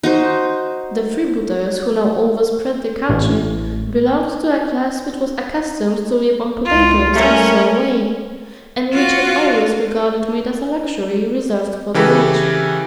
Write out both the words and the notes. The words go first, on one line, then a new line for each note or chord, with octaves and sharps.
The freebooters who now overspread the country belonged to a class which was accustomed to live on potatoes and sour whey, and which had always regarded meat as a luxury reserved for the rich.
D#4 F#4 C5
A1
C#2 F4
G3 A3 C#4 A#4
F4 F#4
C#3 E3 G4 A4 B4